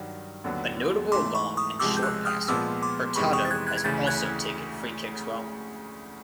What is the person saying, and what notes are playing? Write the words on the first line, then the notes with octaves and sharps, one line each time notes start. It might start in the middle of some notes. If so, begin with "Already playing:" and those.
A notable long and short passer, Hurtado has also taken free kicks well.
Already playing: G2 D#3 F#3
D#2 D3 F#3 B3
G#2 E3 A3 C6 D6
B5 C#6
C#6 D#6
C#2 C3 F3 G#3 D6 E6
G6
E6 F#6
D#6 F6
A#2 F3 G#3 B3 D6 E6
C6 D6
F2 C3 E3 G#3 C4 B5 C#6
C#6 D#6
A6
F#6 G#6
F#6 G#6
G#6
D2 C#3 E3 G6 A6
F#6 G#6